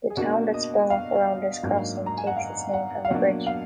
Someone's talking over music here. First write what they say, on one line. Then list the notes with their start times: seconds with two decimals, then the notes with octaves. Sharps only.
The town that sprung up around this crossing takes it name from the bridge.
0.10 G#4
0.17 B2 A#3 D4 F#4
0.54 D#5
0.90 F5
1.63 G#2 F#3 A#3 D4
2.06 A#5
2.17 G#5
2.27 F#5
2.37 F5
2.74 F#5
3.05 F5
3.10 B2 F#3 A#3 D4 F#5
3.47 F5